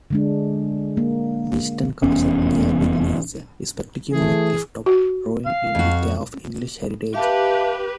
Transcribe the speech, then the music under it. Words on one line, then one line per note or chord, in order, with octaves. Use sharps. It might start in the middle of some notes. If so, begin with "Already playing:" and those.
Beeston Castle nearby is a spectacular clifftop ruin in the care of English Heritage.
D3 G#3 D4
A#3
F1 E2 B3 C#4
E3 A3 G#4
F#4
F5
F2 F#4
G4 B4 E5 F5 A5